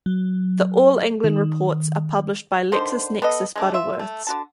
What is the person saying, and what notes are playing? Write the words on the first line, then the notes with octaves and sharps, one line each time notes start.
The All England reports are published by LexisNexis Butterworths.
F#3
D#3
D3 D#3 C5
B3 A4 D#5
G#3 A3 D4
F4 E5
A3
D3 F#4 A5